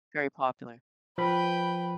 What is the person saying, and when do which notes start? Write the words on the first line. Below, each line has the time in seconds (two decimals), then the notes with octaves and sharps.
very popular.
1.18 F3 B4 G5 B5